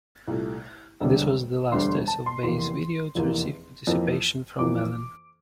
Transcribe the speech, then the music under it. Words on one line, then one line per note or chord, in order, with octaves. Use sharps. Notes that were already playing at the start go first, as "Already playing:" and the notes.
This was the last Ace of Base video to receive participation from Malin.
C2 A#2 A3
E1 D2 D3 G3
E1 D2 D3 G3 C6
A5
C6
F1 E2 E3 A#3 C6
F1 E2 E3 A#3
F2 E3 A#3
F2 E3 A#3 D6